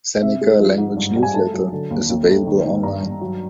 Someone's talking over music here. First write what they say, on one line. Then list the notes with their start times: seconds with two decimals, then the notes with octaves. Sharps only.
Seneca Language Newsletter, is available online.
0.22 C3 E5
0.41 G#3
0.60 F3
0.78 G#2
0.96 G2
1.16 G3
1.23 G#5
1.34 A3 A5
1.53 F#3
1.72 D3
1.91 D#2
2.09 D#2
2.27 A3
2.46 D#3
2.65 D#3
2.83 G2 A#5
3.03 G2
3.21 F#3